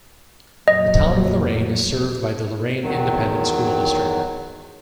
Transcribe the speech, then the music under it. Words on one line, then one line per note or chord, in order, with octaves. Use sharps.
The Town of Loraine is served by the Loraine Independent School District.
F2 A#2 F#3 D#5
E2 D#3 F#3